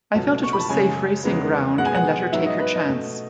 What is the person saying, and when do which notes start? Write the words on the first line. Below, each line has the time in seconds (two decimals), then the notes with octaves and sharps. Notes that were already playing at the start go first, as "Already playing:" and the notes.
I felt it was safe racing ground and let her take her chance.
0.14 C#2 B2 F#3 A3 A5
0.43 C#6
0.53 B5
0.60 A5
0.69 F#2 C#3 G#3 G#5
1.23 E2 C#3 G#3 B3
1.78 B2 G#3 B3 F#5
1.86 G#5
1.95 F#5
2.32 G#2 F#3 B3 E5
2.46 D#5
2.59 B4
2.74 D#5
2.87 B2 A3